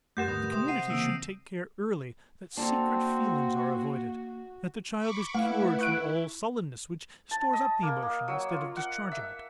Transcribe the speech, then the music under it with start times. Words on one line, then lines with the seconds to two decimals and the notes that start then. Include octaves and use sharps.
The community should take care early that secret feelings are avoided, that the child is cured from all sullenness which stores up the emotion instead of discharging it.
0.17 F#2 A3 G4 A#4 F#5 G6 A#6 E7
0.28 D#2 G#2 D3 B3 D#6 A#6
0.52 C3 C6 D#6
0.68 F#5 C7 D#7
0.90 C#3 E3 A#3 E6 D7
2.57 A#3 C4 D4 F#4 A4 A#5
4.98 B5 C#6 D6
5.35 A3 E4 B4 F5 F#5
5.79 C#6 F#6 D7
7.31 A5
7.53 D#5
7.83 A#3
8.02 A#3
8.28 F#3
8.51 F4
8.77 F#5
9.12 E5